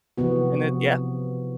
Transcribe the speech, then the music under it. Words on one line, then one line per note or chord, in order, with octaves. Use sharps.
and it yeah.
C3 E3 F3 B3 F#4